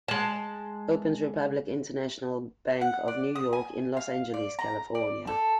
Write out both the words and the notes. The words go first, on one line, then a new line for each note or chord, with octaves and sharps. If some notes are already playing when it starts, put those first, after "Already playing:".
Opens Republic International Bank of New York in Los Angeles, California.
G#3 A5
F#5
D5
D#6
G#5
F5
D5
A#5
D5
A4